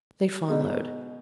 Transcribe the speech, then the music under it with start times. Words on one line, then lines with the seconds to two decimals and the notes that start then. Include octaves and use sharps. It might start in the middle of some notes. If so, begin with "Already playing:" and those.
They followed.
0.48 B2 G#3 D#4